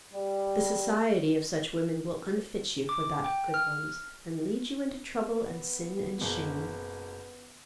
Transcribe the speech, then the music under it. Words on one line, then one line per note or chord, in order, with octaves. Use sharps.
The society of such women will unfit you for that of good ones, and lead you into trouble and sin and shame.
G3
D6
G5
F6
B3
F#1 B2